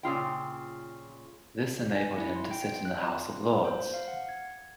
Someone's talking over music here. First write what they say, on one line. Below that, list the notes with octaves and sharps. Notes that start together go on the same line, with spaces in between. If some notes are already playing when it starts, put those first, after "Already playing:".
This enabled him to sit in the House of Lords.
A#2 C#3 F4 G5
G#5
E4
C6
G5
F#6
F4
C5
F5
F#5
G#6